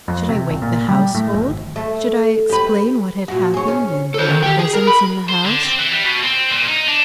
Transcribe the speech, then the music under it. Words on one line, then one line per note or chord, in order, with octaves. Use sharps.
Should I wake the household? Should I explain what had happened and my presence in the house?
F2
C3
G1
A#2
G3
A2
F1
G#1
A3
G4 B4
A#2 F#4
G#4 C#5
C#4
A4 C5
D#3
G4 G5
G#4
A#4
B5
C5
D3
C4
E3
G3
B2
C4
A#2
D#4
D4